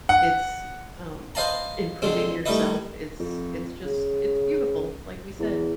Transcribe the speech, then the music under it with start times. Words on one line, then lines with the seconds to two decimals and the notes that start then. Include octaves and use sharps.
It's, um, improving yourself, it's it's just it's beautiful. Like we said,
0.09 F#5
1.35 B4 C5 D#5 F5 A5 A#5
2.02 F2 D3 G#3 C4
2.46 G3 A3 D#4 E4 B4 D#5
3.19 F2
3.85 C#3
5.39 E2